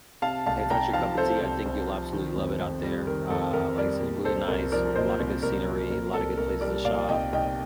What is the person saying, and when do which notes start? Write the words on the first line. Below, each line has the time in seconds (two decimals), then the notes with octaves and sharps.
if that's your cup of tea, I think you'll absolutely love it out there, uh, like I says, it's really nice, a lotta good scenery, a lotta good places to shop,
0.22 C3 F5 A5
0.46 C2 F5 A5
0.70 C2 G5 A#5
0.93 F3 F5 A5
1.17 C3 A4 C5
1.41 C2
1.65 C2
1.88 F3
2.12 D#3
2.36 F2
2.59 F2
2.83 G3
3.06 D#3 A#4
3.30 F2 A4
3.53 F2 A#4
3.78 G3 A#4 D5
4.01 A#2
4.25 C2 A4 C5
4.48 C2 A#4
4.72 F3 A#4 D5
4.96 A#2 C5 D#5
5.19 C2
5.43 C2 A#4
5.67 F3
5.90 A#2 A#4
6.14 C2 A4
6.37 C2 A#4
6.61 G3 A#4 D5
6.85 A#2 D5 F5
7.08 C2 D#5 G5
7.33 C2 D#5 G5